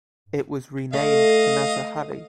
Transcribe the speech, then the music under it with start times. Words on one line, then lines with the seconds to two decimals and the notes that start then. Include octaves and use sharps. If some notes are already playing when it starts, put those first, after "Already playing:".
It was renamed Canajoharie.
0.93 A3 D#5 F5